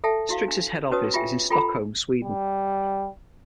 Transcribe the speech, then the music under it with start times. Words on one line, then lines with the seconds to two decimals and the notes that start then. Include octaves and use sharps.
Strix's head office is in Stockholm, Sweden.
0.04 A4 E5 G5 A5
0.29 E4 F#4 F5
0.48 D4
0.91 C#4 F#4 B4 C#5 A5 D#6
1.14 F4 G4 E5 G5 G#5
1.50 F4 A4 G5 A#5 B5
2.24 G3